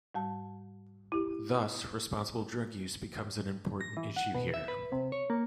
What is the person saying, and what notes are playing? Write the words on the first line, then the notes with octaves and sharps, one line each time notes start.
Thus, responsible drug use becomes an important issue here.
G#2 G3 A5
E4 G4
A#6
E3
F#5
B2
E5
B4
C3
C#5
A#3